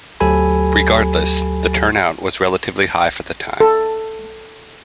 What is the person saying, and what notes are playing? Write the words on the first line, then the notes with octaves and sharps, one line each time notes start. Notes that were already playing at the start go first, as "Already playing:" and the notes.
Regardless, the turnout was relatively high for the time.
D2 F#3 G4 A4 G#5 B5
A4